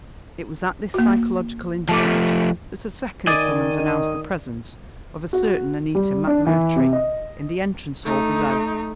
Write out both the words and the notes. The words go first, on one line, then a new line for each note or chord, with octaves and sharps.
It was at this psychological instant that a second summons announced the presence of a certain Annita McMurtry in the entrance hall below.
A#3 F#4
F3 A3 A5 D6
D#3 D5 D#5 G#5
F#4
G3
D4
E3
C3
D#5
A3 D#4